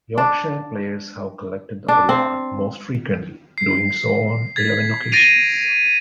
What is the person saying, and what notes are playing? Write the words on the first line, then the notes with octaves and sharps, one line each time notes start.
Yorkshire players have collected the award most frequently, doing so on eleven occasions.
D4
D4
C4
C7
G#6 A6 B6
A6 A#6 C7 D7 D#7 F7